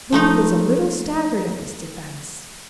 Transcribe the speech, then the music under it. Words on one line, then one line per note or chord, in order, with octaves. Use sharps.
Booth was a little staggered at this defence.
F3 A3 D#4